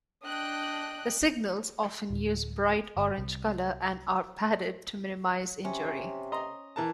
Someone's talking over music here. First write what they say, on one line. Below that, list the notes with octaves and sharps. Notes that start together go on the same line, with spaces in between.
The signals often use bright orange color and are padded to minimize injury.
D4 D#5 G5 F#6
D1
G1
C2
C3 C#4
D#5 A#5 C6
E3 A#4 A5